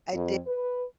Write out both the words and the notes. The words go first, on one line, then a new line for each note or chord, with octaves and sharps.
I did
F2
B4